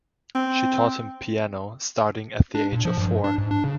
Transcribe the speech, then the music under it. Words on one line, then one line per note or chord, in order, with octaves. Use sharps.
She taught him piano, starting at the age of four.
C4
D4
A#2
F3
G2
D4
G#2
D4
C#3